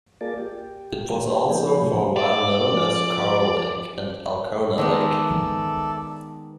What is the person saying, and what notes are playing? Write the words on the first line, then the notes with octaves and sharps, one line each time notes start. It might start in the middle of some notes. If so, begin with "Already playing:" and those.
It was also for a while known as "Coral Lake" and "Alcona Lake".
A#3 F4 G#4 A#4 D5 A5
G4
F3 A#3 B3 D#4 G4 G#4
A2 C3 F3 F#3 A3 A#3
D5
F3 C#4 A4
D#3 G#3 B3 A4 D5 E5